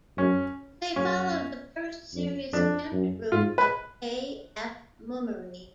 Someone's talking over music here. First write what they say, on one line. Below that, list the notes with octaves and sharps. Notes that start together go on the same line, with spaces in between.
They followed the first serious attempt route of A F Mummery.
F#2 C#4
F#2 C#4
F2
F2 D4
F#2
G#2 F4
B4